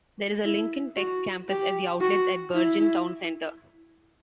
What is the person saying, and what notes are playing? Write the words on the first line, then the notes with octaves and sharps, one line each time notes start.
There is a Lincoln Tech campus at The Outlets at Bergen Town Center.
E4
F#4
G4
F#4
E4